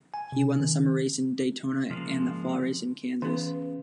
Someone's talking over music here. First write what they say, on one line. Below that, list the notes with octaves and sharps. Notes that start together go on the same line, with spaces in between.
He won the summer race in Daytona and the fall race in Kansas.
G#5
C3
D#3
C#3 F3 G#3 A#3
C#3 E3 B3